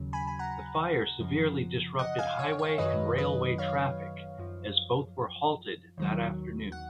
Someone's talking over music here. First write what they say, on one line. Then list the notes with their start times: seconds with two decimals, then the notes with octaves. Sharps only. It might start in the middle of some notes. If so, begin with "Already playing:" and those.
The fire severely disrupted highway and railway traffic as both were halted that afternoon.
Already playing: D#2 C#3 F#3
0.13 G#5 B5
0.28 G#5
0.39 F#5 A#5
1.19 F#2 C#3 F3
1.99 D#5 F#5
2.19 F5 G#5
2.39 C#5
2.59 C#5
2.78 F#2 D#3 F#3 B4 D#5
3.18 B4 D#5
3.58 C#5 F5
4.39 F#2 F3
5.97 D#2 D#3 F#3
6.72 F#5